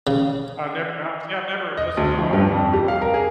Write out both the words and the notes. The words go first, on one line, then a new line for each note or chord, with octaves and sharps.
I've never I've see, I've never listened to an audiobook at all.
C#3
D#5
D2
F3
G2
F2
G4
F5
A#4
G#4